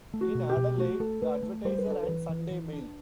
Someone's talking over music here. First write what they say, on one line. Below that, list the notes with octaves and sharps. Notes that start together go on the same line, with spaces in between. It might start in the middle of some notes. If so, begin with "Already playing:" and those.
In Adelaide, "The Advertiser" and "Sunday Mail".
A3
F#4
B2
G4
B2
A3 F#4
A3 A4
A3 B4
A3
G3 C5
B4
D4 A4
B4
E3
E3
E3
D4